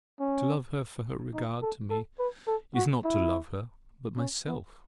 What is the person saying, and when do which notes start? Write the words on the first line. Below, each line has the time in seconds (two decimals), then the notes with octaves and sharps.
To love her for her regard to me, is not to love her, but myself.
0.20 C#4
1.34 D#4
1.62 A4
1.90 A4
2.19 B4
2.47 A4
2.75 F#4
3.04 E4
4.18 C#4
4.46 B3